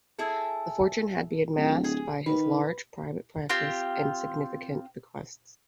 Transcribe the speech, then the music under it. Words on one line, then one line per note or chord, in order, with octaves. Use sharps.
The fortune had been amassed by his large private practice and significant bequests.
E4 G#4 A4
D1
G#4
D#3 B4
C4 F4 G4